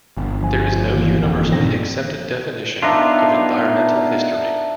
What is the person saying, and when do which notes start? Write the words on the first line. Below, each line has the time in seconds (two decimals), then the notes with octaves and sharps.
There is no universally accepted definition of environmental history.
0.17 G1
0.43 F3 G#5
0.95 D#3 E3 A#3
1.23 G1 F2
1.52 G1 A#2 D#3 F3 C4 A#6
2.82 B3 D4 D#4 F4 E5